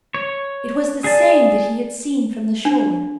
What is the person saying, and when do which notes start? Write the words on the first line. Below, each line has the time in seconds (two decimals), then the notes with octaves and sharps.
It was the same that he had seen from the shore.
0.14 C#5
1.04 G#4 D5 A5
2.65 D4